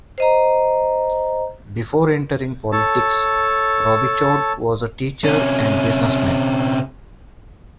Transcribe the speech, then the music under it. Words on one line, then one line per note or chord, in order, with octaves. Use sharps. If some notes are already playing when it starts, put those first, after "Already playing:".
Before entering politics, Robichaud was a teacher and businessman.
C5 D#5 A#5
A4 C#5 A5
C3 C#4